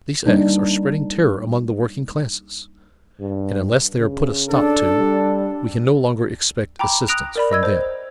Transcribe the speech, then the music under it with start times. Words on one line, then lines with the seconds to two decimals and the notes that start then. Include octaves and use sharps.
These acts are spreading terror among the working classes, and unless they are put a stop to we can no longer expect assistance from them.
0.26 G3 A#3 D4 D#4
3.20 G2
3.98 C#3
4.49 D4 A4
4.98 G3
6.79 G5 A#5 B5 D6
7.08 D#6 F#6 A#6 D7 F7
7.35 A#4 D5 B5
7.51 D#5 E6 G#6
7.63 C5